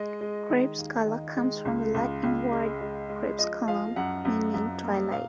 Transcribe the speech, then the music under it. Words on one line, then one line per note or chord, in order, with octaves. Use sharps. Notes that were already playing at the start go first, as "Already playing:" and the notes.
Crepuscular comes from the Latin word "crepusculum", meaning twilight.
Already playing: G#3 D#5
G#3
D#3
D#2
D#3
G#3
C#2
C#2
C#2
G#3
G#3
G#3
F3 D#5
F3 F5
F#2 F#5
F#2
F#2
A#3
A#2 F5